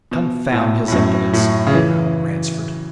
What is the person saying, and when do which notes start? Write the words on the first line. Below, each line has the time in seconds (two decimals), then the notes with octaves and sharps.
"Confound his impudence!" growled Ransford.
0.11 B2
0.52 A2
0.88 A2
0.92 F#2
1.33 A2
1.67 C#3
1.74 E3